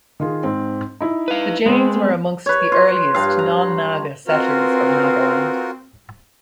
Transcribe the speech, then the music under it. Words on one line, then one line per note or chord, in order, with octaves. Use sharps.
The Jains were amongst the earliest non-Naga settlors of Nagaland.
D#3 F4 G#4
G#2 C4
D#4 E4
B4 F5
G#3 B3 C4 G#4
B4 C#5
F4
G2 F5
A#5
C4 F4 F#4 A#4 B4